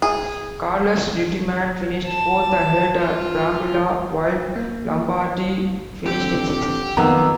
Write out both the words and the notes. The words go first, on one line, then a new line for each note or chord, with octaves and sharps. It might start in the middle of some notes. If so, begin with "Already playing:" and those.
Carlos Reutemann finished fourth ahead of Brambilla, while Lombardi finished in sixth.
G#4
A5
F4
A#3
D3 G3 C4 G4 G6
B1 F2 D#3 A#3 B3 A#5 E6